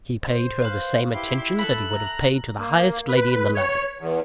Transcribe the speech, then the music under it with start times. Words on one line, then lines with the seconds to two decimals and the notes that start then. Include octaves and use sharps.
He paid her the same attention that he would have paid to the highest lady in the land.
0.24 C5
0.62 B4 F5
1.13 E4 G4 C6
1.59 A4 E5 B5 F#6
1.91 A#5
2.59 A#3
3.08 B4
3.54 C#5
3.98 E2